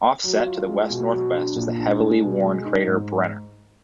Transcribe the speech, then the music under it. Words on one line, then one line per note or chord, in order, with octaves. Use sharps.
Offset to the west-northwest is the heavily worn crater Brenner.
F#3
F4
G#3
B2
F#3
D4
A#2
D4
G#3
B2
G#3
D#4
G#2